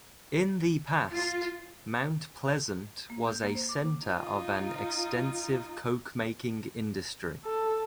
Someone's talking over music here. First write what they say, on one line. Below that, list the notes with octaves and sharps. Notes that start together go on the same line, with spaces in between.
In the past, Mount Pleasant was a center of an extensive coke-making industry.
F4
A#3
G6
A#3
C5
D6
D#4 F4
A4